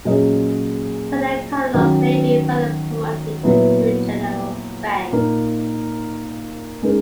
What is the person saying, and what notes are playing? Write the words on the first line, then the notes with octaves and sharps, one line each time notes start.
Senior Colonels may be further promoted to general ranks.
A#2 F#3 C#4 G#4 D#5
D#3 F#3 C#4 F#4
A#2 F#3 B3 E4 B4
A#2 A#3 D#4 A#4
C#3 G#3 D#4 A#4